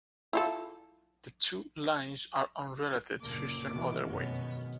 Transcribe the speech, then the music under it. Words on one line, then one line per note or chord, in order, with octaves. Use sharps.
The two lines are unrelated systems otherwise.
E4 F4 A4
F#1 A#2 D3 A#4 D6
E2 G#2 B2 D#3 E3
F1 F#2 B2 D#3 B3 C#4